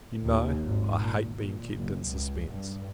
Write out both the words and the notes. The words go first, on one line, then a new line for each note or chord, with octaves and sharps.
You know, I hate being kept in suspence.
D#2
G#1
A#2
A#2
F#1
C#2
G2